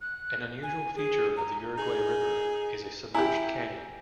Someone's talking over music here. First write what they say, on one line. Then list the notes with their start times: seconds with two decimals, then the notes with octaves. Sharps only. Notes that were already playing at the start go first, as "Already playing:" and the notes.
An unusual feature of the Uruguay River is a submerged canyon.
0.01 F#6
0.63 G#5
0.96 G#4
1.37 A#5
1.77 D#4 G#4
3.14 E4 G4 G#5 A#5